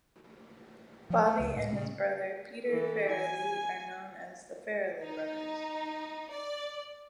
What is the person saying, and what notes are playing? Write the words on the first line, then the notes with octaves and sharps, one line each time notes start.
Bobby and his brother Peter Farrelly are known as The Farrelly brothers.
F3
A3
C#2
A2
C#3
E3 A4
G#5
D#4
D5